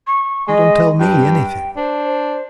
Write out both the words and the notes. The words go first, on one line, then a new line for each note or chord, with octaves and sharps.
You don't tell me anything.
C#6
G#3 D#5
G2 G5
D4 C5